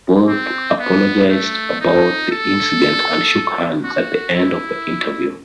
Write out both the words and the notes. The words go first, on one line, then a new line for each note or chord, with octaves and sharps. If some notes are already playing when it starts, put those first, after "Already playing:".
Both apologised about the incident and shook hands at the end of the interview.
C4
B3
A3
D#4
A4
F#4
E4